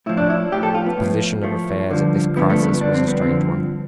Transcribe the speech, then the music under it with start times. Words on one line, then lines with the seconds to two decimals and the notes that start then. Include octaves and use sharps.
The position of affairs at this crisis was a strange one.
0.06 A2 F3 E4
0.17 D4
0.30 E4
0.52 A2 F3 G4
0.63 A4
0.75 F4
0.86 B3
0.97 A2 F3
1.43 A2 F3 A3
1.90 G2 D3 F3
2.36 G2 D3 F3 B3
2.50 A3
2.64 B3
2.81 G2 D3 F3 D4
2.94 C4
3.08 B3
3.22 C4
3.27 G2 D3 F3